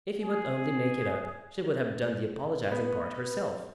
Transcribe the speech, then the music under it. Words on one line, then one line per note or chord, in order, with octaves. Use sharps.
If he would only make it up, she would have done the apologising part herself.
G#4
B3